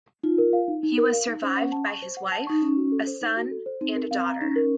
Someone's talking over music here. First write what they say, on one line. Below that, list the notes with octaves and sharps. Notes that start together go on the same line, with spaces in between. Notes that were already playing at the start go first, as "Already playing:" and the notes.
He was survived by his wife, a son and a daughter.
D#4 F4
A#4
F5
D#4
D#4
A#4
F5
D#4
C#4 C5
F#5
A5
C#6
C5
F#5
A5
D#4 C#6
C#4 D#4
F#4
A4
C5
D#4
F#4
A4
C5
C4 D#4
A#4
C4 F5
A#5
C#4 D#4
A#4